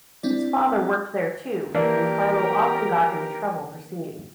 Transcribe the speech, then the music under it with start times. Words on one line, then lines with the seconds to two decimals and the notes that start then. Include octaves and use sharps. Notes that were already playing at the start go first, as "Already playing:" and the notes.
His father worked there too, and Carlo often got into trouble for singing.
0.23 C4 D4 E4 D5
1.75 E3 A#3 D4 G4 A#4